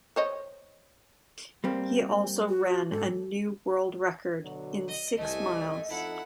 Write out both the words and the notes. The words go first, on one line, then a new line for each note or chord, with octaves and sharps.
He also ran a new world record in six miles.
C5 C#5 D#5
G3 A#3 C4
F#4
G#2 A4
B2 D3 F#3
D#5
C2 A3 D#5 G#5
F2 D#4 E4 A4 F#5